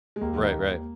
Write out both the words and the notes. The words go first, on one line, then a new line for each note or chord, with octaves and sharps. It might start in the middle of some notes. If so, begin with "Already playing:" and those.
Right, right.
G#3
D#2 A#3
D#3
D#2